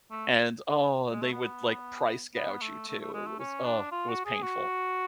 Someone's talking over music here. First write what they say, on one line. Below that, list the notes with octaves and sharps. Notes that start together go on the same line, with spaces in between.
and, oh, and they would price gouge you too. It was oh, it was painful.
A3
G#3
A3
B3
B3
A3
A3
A3
G#3
A3
C#4
D4
F4
F#4
G#4
F#4